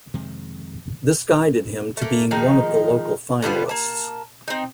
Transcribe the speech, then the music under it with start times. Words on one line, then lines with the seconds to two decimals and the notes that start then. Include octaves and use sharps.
This guided him to being one of the local finalists.
0.14 F2 C3 D#3 G#3
1.97 A3 A#3
2.31 D#3 F3 G#3 D#4
3.42 D3 G3 B3 F4
3.69 A#3 A5
4.48 C4 D#4